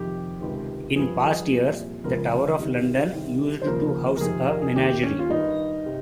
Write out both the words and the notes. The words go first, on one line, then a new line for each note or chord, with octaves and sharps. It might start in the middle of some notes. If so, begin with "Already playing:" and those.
In past years, the Tower of London used to house a menagerie.
Already playing: F2 C3 D#3 G4
C#2 C3 D#3
G2 F3 G#4
G#4
C2 A#2 F3
C#2 C#3 F3 A#4
C2 C3 D#3
C2 C3 D#3
C5
D#2 C#3 F3 A#4
A#4
F2 C3 D#3 G#4
A#4
G#4
D#2 D#3 G4
C#4
F4
G2 D#3 D#4
C3